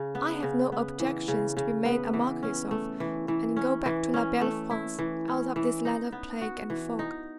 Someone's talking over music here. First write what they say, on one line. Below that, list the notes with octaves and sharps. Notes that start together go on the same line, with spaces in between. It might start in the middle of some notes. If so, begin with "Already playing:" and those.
I have no objections to be made a marquis of, and go back to la belle France, out of this land of plague and fog.
Already playing: C#3
B3
C#3
B3
E3
C#3
C#3
B3
E3
C#4
A3
E3
E3
C#4
E3
C#4
A3
E4
E3
C#4
E3
D#4
B3
F#4
E3
D#4